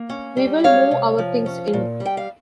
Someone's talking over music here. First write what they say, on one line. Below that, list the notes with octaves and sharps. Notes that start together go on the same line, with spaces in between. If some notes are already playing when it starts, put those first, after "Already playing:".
We will move our things in.
Already playing: A#3
C#4
G3
G#3 C#5 F5
C3
F3
C#4
A#2
G3
G5
F5